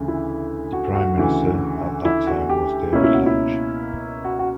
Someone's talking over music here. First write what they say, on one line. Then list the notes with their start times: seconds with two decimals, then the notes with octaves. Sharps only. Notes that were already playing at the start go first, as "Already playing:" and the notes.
The Prime Minister at that time was David Lange.
Already playing: D2 C#3 E3
0.08 E4
0.73 F#4
0.95 F#4
1.17 D2 C#3 E3
2.05 E4
2.27 F#4
2.49 G4
2.93 C#2 B2 A#3 C#4 E4
3.04 E4
3.14 F#4
3.26 E4
4.25 F#4
4.39 F#4